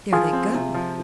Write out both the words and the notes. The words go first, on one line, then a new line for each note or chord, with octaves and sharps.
"There they go!"
F3 F4 G#4
C4
C3
F3